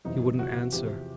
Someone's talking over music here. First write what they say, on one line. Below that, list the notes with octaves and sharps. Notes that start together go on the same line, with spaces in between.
He wouldn't answer.
F#1 E2 C3 D#3 F#3 D#4
C#2 C3 E3 F#4
E2 C3 F3 G4